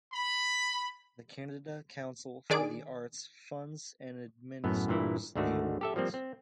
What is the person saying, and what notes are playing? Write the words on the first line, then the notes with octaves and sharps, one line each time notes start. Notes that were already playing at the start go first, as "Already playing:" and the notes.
The Canada Council for the Arts funds and administers the awards.
B5
D#3 D4 G#4 D5 D7
F#2 A2 B3
G2 A#2 E3 E4
D2 G#2 D3 D#3 A3 F#4
G4 A4 E5
F3 G3 A#3 C4
C4